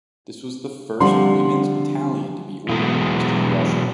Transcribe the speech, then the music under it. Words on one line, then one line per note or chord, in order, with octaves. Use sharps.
This was the first women's battalion to be organized in Russia.
D3 F3 G3 C4 D4 C6
B2 E3 F#3 G#3